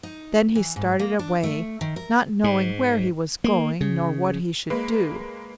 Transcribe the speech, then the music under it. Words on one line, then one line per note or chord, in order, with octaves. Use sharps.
Then he started away, not knowing where he was going nor what he should do.
D#4
E3
G#2
A#3
D4
A3
D#3
A#4
G#2
A#3
C#3
G#3 A#3 B4